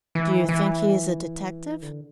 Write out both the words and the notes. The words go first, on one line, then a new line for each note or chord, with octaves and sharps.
"Do you think he is a detective?"
E3
E3
D3